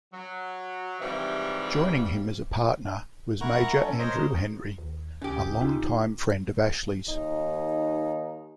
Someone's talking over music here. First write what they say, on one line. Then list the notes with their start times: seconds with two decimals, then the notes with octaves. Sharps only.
Joining him as a partner was Major Andrew Henry, a long-time friend of Ashley's.
0.14 F#3
1.00 G#2 C3 E3 F3 G3
3.41 E4 A#4 F#5 A#5 C#6
3.76 C#4 A4
3.98 A#4 C5 C#5 D#5
4.78 D#2
5.22 D2 C#3 C#4 G4
5.61 D#4 F4
7.09 D#2 D#4